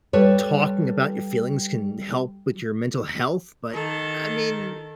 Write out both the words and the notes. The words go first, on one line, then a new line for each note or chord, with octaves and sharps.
talking about your feelings can help with your mental health, but, I mean,
G3 A4 B4 C#5
D#3 A4